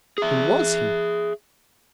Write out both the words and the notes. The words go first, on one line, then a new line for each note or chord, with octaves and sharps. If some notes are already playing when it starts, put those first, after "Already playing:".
Who was he?
G#4 E5